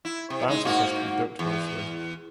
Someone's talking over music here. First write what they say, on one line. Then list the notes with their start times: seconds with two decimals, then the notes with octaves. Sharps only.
Bouncers has to be ducked mostly.
0.05 E4
0.30 C3
0.48 G#3 D#4
0.65 G#2 A#3 F#4
1.39 E2